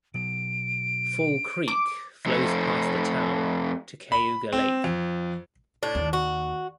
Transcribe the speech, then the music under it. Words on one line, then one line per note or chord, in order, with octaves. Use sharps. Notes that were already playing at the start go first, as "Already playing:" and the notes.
Fall Creek flows past the town to Cayuga Lake.
B2 F#3 D7
D6
F2 A3
B5
C4
F2
A2 D4
D#2
F#4